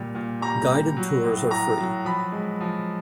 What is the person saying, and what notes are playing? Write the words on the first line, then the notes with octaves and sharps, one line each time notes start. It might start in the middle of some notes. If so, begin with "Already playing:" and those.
Guided tours are free.
Already playing: A#2 G3
A#2
G3 A#5
G3
F#3
A2
A2 A#5
F#3
F3 B5
G#3
F3